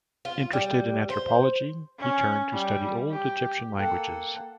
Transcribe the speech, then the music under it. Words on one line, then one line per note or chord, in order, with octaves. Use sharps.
Interested in anthropology, he turned to study Old Egyptian languages.
F4
G3
C5
C#4
G3
G4
A#3 A4 F#5 G5